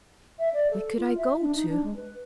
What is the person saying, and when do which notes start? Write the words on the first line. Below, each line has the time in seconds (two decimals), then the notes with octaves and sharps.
'Where could I go to?
0.39 E5
0.53 D5
0.71 A4
0.97 F4
1.17 E5
1.41 D4
1.55 D#4
1.68 D4
1.84 G#3
1.96 B4